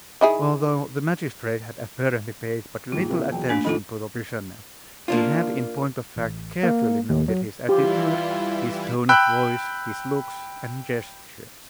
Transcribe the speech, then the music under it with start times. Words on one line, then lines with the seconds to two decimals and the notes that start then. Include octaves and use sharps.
Although the magistrate had apparently paid but little attention to the prisoner, he had in point of fact carefully noted his attitude, his tone of voice, his looks and gestures.
0.21 D#3 E4 G#4
2.92 D#2 G#2 F4
3.09 C3 A#3 E4
3.31 E1 F#3 G5
3.49 A#2 A3 D4 G#5
3.65 G#1 D#4 F4 A4 B5
5.08 A#3 D4 F4
6.16 A1
6.63 A#3
7.09 D#2
7.28 F#3
7.69 E3 G3 E4 F4 G4
9.09 G5 B5 E6 F#6